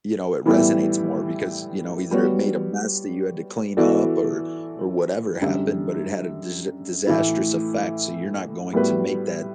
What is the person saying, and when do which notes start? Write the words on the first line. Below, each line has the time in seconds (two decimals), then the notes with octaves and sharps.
you know, it resonates more because, you know, either it made a mess that you had to clean up or or whatever happened, but it had a dis disastrous effect, so you're not going to make that,
0.46 A2 E3 G3 B3 E4
2.11 G3 B3 F#4 C#5
3.77 E3 B3 F#4 A4 D5
5.41 F#2 D3 G3
7.07 A2 E3 A3 E4
8.73 A2 G3 B3 F#4 B4